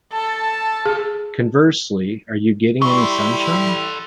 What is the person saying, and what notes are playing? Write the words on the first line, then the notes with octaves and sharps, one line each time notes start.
Conversely, Are You Getting Any Sunshine?
A4 A5
G#4
G3 E4 A4 C6 C#6